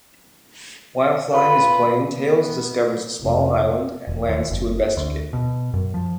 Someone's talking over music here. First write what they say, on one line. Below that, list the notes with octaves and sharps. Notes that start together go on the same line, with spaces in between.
While flying his plane, Tails discovers a small island and lands to investigate.
F4 B4
B3
F1
E1
D#2
F#1
D2
B2
F#2
F3